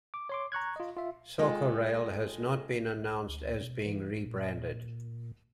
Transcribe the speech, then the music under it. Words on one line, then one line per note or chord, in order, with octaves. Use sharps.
"Socorail" has not been announced as being rebranded.
D6
C#5 C6 D6
A#5 C#6 F#6 G#6
F4 D#5
F4 E5
G#3 F4 G4 A4
D2
B2
E3
A#2